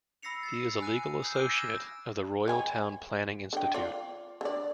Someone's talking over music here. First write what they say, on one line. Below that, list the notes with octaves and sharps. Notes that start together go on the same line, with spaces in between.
He is a legal associate of the Royal Town Planning Institute.
B5 E6 A#6 C7 C#7 F7
A6 C7
G#5 F#6 D#7
D#6 E6 F#6 G6 C7
D6 E6 C7 D7 D#7
F6 G#6 A#6 E7
C#5 G#5 B5
D3 G5
F4 D5
D3 D5